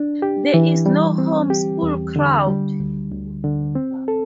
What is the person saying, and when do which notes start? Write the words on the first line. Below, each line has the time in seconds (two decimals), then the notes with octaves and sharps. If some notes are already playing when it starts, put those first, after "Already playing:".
There is no home school crowd.
Already playing: D4
0.22 G4
0.54 E3
0.86 G3
1.18 C4
1.50 G4
1.83 E2
2.16 D3
2.47 G3
2.80 D2
3.12 D2
3.44 D3
3.75 C4
4.08 A4